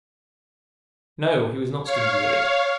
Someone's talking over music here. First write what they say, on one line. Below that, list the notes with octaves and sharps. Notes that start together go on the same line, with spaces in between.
No, he was not stingy with it.
C#5 F5